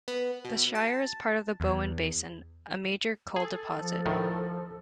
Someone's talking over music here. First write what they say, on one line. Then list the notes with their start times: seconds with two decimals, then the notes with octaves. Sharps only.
The Shire is part of the Bowen Basin, a major coal deposit.
0.08 B3
0.45 B2
0.75 A5
1.60 E2
3.36 G#4 A4
3.75 F3
4.06 D2 A2 D#3